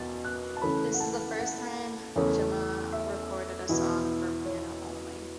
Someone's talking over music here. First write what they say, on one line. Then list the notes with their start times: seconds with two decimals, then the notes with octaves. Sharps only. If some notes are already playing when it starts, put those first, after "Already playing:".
This is the first time Gemma recorded a song for piano only.
Already playing: E2 B2 A6
0.25 F#6
0.57 A5
0.62 C#3 E3 A3 C#4 B5
0.94 F#5
1.00 A5
1.39 F#5
2.16 E2 C#3 A3 C#4
2.93 E5
3.69 E2 B2 B3 E4
4.46 C#5